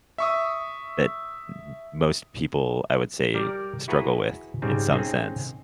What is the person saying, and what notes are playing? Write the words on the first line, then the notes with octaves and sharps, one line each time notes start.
that m most people, I would say, struggle with, in some sense.
E5 C#6 D#6
G3 A#4 D5
E4 F#4 G#4 B4 A#5
G#2 C#3 G3 G#3 C4
C4 C#4 D#4 G#4